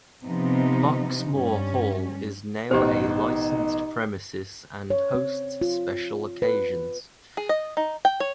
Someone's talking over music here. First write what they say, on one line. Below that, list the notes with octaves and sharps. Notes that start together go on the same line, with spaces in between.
Boxmoor Hall is now a licensed premises and hosts special occasions.
C3 F3 B3 D#4
G2 G3 C#4
A1 B2 D#4 G4 C5
C#5
C4
F4
B4
G#4
D#5
D#4
G5
C#5